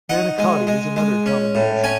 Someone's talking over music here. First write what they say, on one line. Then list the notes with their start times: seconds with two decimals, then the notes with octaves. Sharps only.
Manicotti is another common dish.
0.09 D#4 F#5
0.39 G#3
0.67 G#3
0.96 G#3
1.26 C#4
1.55 A2
1.84 C#4 G#5